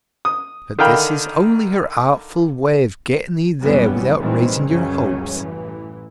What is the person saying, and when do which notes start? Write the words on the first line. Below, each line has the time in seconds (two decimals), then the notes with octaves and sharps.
But this is only her artful way of getting 'ee there without raising your hopes.
0.25 D#6
0.79 D3 D#3 F5 G5 B5
3.62 F#1 B1 E3 G3 B3 C#4
4.17 A#2 D#3 E3 G3 G#3 C4
4.68 C#2 F#2 C#3 F#3 G3 C#4
5.33 A1 E3